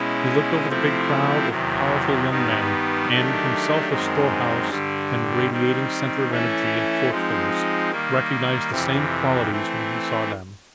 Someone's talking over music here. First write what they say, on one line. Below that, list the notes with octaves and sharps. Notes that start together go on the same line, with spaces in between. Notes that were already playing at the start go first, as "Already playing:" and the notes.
He looked over the big crowd of powerful young men, and, himself a storehouse and radiating center of energy and forcefulness, recognized the same qualities when he saw them.
Already playing: B2 G#3 C#4 E4
C3 F3 A3 C4 E4
E2 C3 D#3 F#3
G2 D#3 G3 B3 D#4
D#3 F#3 A3 D4 G4
F#2 D#3 G#3 C4
G2 D3 G3
D#3 G3 C4
E3 A3 C#4 E4 A4
F3 G#3 C4 D#4
D#3 G3 A#3
F2 C3 E3
E3 A3 C4